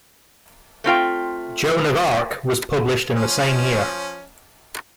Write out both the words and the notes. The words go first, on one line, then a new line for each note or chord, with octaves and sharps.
"Joan of Arc" was published in the same year.
A3 C4 F4 G5
F3 C#4